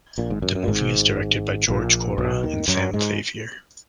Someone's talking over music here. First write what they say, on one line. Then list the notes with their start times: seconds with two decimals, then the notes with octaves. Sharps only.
The movie is directed by George Kora and Sam Xavier.
0.18 A#1 A#2
0.30 G#1 G#2
0.42 F#2
0.55 F#2
0.64 A#2
0.68 G#1 G#2
1.68 A#1 A#2
2.18 B1 B2
2.43 D#2 D#3
2.68 F#2 F#3
2.93 G#2 G#3